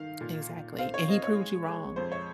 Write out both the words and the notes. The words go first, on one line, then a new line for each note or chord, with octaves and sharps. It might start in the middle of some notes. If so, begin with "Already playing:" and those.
Exactly, and he proved you wrong,
Already playing: D#3 F5
A#2
A#2
C4 F5
C#5
C4 D#5
C#5
G#3
G#3
F2 C5
C#5